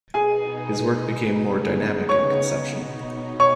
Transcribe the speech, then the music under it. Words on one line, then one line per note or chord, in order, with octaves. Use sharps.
His work became more dynamic in conception.
B2 B3 D#4 G#4 G#5
C#3 B3 D#4
C#5 C#6
B2 B3 D#4
C#5 C#6